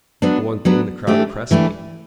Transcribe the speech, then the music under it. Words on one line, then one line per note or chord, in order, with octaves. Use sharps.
For one thing, the crowd oppressed me.
F#3 B3 D4
F#3 B3 D4
E3 A3 D4 G4
E3 A3 D4 G4